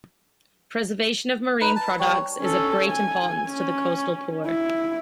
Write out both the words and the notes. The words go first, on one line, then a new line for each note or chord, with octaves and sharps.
Preservation of marine products is of great importance to the coastal poor.
D#4 B4
A5
G3 C#5
C#4 A4
G#5
C#4
E4